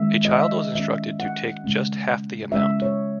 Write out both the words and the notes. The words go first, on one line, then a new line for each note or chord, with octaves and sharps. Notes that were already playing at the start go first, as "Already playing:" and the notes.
A child was instructed to take just half the amount.
Already playing: D#3 G#3 C#4 E5
D#5
E5
D#3 G#3 C#4 E5
F#5
C#3 G#3 C#4
C#3 G#3 C#4 E5
C#5